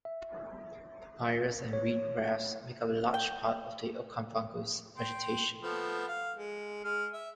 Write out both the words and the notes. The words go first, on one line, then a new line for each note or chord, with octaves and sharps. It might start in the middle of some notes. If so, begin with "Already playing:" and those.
Papyrus and reed rafts make up a large part of the Okavango's vegetation.
E5
C#5
G5
G5 C6
F3 A3 B3
F5
G#3
G#3 F6
E5